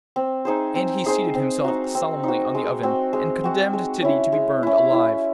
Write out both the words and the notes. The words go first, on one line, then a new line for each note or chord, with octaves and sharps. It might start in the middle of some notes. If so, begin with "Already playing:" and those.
And he seated himself solemnly on the oven, and condemned Titty to be burned alive.
C4
D#4 G#4 C5
C4
D#4 G#4 C5
C4
D#4 F#4
C4
D#4 F#4
G#3
C4 F#4
G#3
C4 F#4
G#3
C#4 E4
G#3
C#4 E4
E4